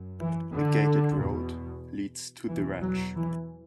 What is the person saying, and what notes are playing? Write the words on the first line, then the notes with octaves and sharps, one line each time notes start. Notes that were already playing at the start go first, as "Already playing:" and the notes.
A gated road leads to the ranch.
Already playing: F#2
E3
D3
E2 B2
E2 B2 E3
F#3
E3